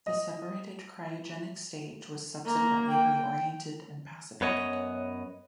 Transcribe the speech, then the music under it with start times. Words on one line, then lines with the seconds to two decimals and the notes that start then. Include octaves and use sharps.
The separated cryogenic stage was subsequently reoriented and passivated.
0.07 D#5
2.45 A#3 A#5
2.88 G5
4.41 F#2 B3 C#5 D#5